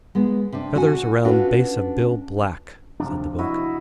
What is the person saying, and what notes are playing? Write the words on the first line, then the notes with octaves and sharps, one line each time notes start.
"Feathers around base of bill black," said the book.
G#3 B3
C3 D4
F#4 F#5 G#5
C#4 D4 F4 F#4 A4 B4
C3 F3 D4
E4 F#4 D#5